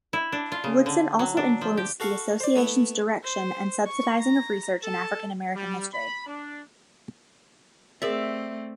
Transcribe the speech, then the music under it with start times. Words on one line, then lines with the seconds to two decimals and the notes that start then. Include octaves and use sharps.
Woodson also influenced the Association's direction and subsidizing of research in African-American history.
0.13 E4
0.32 D4
0.52 F4
0.64 C#3
0.86 D3
1.19 F#3
1.37 D4
1.61 F3
1.77 G4
2.00 F#4 A4 F5 C#6
2.40 C5 D5
2.56 A3 B3 E4
3.23 C5
3.86 C#6
4.20 A#5
4.81 A4 A5
5.55 G3
5.94 B5
6.26 D4
8.02 A3 C4 G#4 A#4 D5 E5